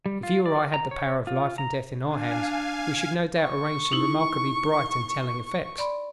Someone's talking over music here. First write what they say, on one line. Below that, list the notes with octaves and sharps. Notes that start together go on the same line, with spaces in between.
If you or I had the power of life and death in our hands, we should no doubt arrange some remarkably bright and telling effects.
G3
F4
D5
A#5
C#5
F4
A#5
D4 F5 G#5
C#6
D#4 E4
D5 B5 C6